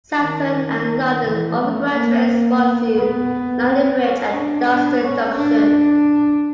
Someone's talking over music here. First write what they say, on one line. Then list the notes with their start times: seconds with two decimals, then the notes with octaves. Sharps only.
Southern and London Overground trains run to London Bridge and Dalston Junction.
0.20 D#3
1.24 E3
1.57 A3
1.92 A#3
2.95 B3
3.64 C4
3.99 C#4
4.33 D4
4.67 D4
5.02 C#4
5.36 D4